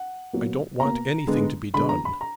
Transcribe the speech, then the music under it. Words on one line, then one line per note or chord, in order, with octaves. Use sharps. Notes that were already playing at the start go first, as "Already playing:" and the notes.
I don't want anything to be done.
Already playing: F#5
B2 F#3 A#3
B2 A#3 A#5
D3 G#3 B3
D3 G#3 B3 B5
A#5
B5
A#5